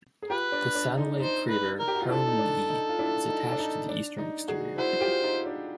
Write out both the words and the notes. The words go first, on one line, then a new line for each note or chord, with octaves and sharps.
The satellite crater Perel'man E is attached to the eastern exterior.
G#4
F4 G4 B4
D4
D4
D#4
D4
D#4 C5
B4
A#4
G4
F#4
F4
D4 E4 A4
D#4
D4
D#4
F4
D4 E4
D#4
D4
D#4
D4
D#4
F#4 G#4
E4 F#4 C5
F4 G4
D#4 F4
D4